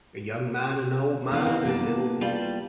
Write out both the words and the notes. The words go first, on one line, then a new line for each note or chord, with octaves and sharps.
A young man — an old man — and a little boy.
B3 D4 E4 B4 F5
C3
A#3 G4 B4 A5
G3 F4